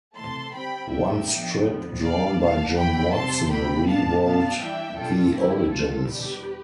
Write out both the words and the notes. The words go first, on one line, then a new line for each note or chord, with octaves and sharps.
One strip drawn by Jim Watson rewrote the origins.
C3 E3 A3 A5 C6
D3 G3 C4 G5 B5
E2 B2 A3 D4 E5 G5
A2 F3 B3 D4
F2 D3 F3 B3
E2 B2 G3 D5 F5
B2 G3 D4 F5 A5
F2 C3 E3 G5 B5
C3 G3 C4 A5 C6
E2 C3 E3 B3 G5 B5
A2 G3 B3 D4 F5 A5
B2 B3 D4 F5 A5
G2 E3 G3 D4 E5 G5
B2 G3 D4 F4 A4
D3 G3 C4 E4 G4
C3 F3 A3 F4 A4
E2 B2 G3 D4 G4 B4